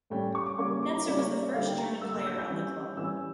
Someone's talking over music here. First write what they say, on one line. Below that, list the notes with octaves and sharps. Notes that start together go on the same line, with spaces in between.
Netzer was the first german player of the club.
A2 G3 C#4 G5
C#6
D6
C#3 G3 A#3 C#4 C#6
D6
D6
A#5
C#3 G3 A#3 C#4 D5
C#5
D5
E5
D3 G3 A#3 F5
G5
A#5
D3 G3 A#3 E6
E6
G6
G6
E3 G3 C#4
E3 G3 C#4 E6